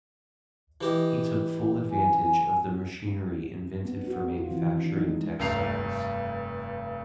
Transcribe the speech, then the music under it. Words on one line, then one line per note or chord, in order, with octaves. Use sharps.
He took full advantage of the machinery invented for manufacturing textiles.
E3 G4 D#5
G#5
B3
D4
F#4
C4
F4
E3
D#3
D4
D#4
G#3
F1 G2 A3 A#5 C7 F7